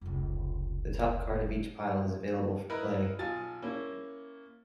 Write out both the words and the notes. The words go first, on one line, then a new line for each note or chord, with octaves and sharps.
The top card of each pile is available for play.
F1 C#2
E4 A#4 B4 D#5
B1 F4 G#5 A5 D#6 A6
A#3 C#4 E4